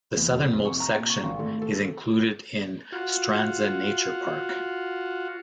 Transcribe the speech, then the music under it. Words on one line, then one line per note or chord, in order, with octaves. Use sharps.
The southernmost section is included in Strandzha Nature Park.
E2
F2
C3
C#6
A#5
A#2
C#6
G#1
A3
A4
F4 F#4